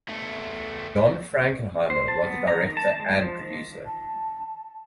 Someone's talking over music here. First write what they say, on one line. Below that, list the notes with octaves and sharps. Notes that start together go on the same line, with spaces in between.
John Frankenheimer was the director and producer.
E2 A3
C5
A5
B3
A#5
D#3
A5
G#3
F3
D#3
A5